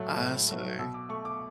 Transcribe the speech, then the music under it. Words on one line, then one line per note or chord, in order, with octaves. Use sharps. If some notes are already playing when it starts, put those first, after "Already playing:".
I see.
Already playing: A2 F#3 A3
A2
F#3 A3
B2 E6
D6
A3 C#6
D6